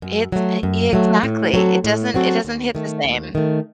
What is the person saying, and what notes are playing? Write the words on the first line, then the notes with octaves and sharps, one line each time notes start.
It's e exactly. It doesn't it doesn't hit the same.
F#2
F#3 A3
F#2
F#3 A3
A2
F#3 C4 F#4 A4
A2
F#3 C4 F#4 A4
D#2
D#3 A3
D#2
D#3 A3